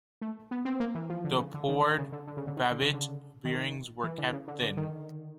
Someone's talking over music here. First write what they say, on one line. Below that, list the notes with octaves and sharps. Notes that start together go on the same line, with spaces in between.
The poured Babbitt bearings were kept thin.
A3
B3
C4
A#3
E3
F3
D3
C#3
D3
D#3
D3
C#3
D3
D3
C#3
D3
D#3
D3
C#3
D3
D#3
E3
D3
C#3
D3
D3
D#3